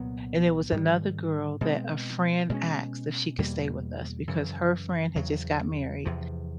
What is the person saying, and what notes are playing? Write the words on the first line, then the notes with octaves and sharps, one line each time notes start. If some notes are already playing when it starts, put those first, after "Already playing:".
and there was another girl that a friend asked if she could stay with us, because her friend had just got married,
Already playing: C2 A#2 F#3 B3
G#2 D#3 G3
B2 G#3 C4
B2 G#3 C#4
E2 B2 G3 A#3
F#2 C#3 E3
E2 C#3 F#3
E2 C3 F3